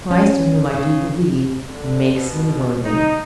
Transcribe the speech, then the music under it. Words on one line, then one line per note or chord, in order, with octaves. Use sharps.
Christ, in whom I do believe, makes me worthy.
C#4
C#3
D3
B2
D#4